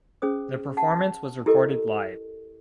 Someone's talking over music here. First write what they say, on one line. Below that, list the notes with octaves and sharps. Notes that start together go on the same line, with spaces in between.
The performance was recorded live.
C#4 G#4 C5 D#6
F#5 A5
E4 G4 A4 A#4 D#5